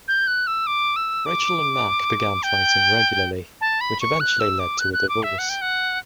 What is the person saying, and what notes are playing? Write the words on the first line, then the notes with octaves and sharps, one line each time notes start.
Rachel and Mac began fighting regularly, which eventually led to a divorce.
G6
F#6
E6
D6
E6
D6
G5
A5
B5
C#6
F#6
E6
D6
F#6
F#6
D6
E5
F#5
G5
F#5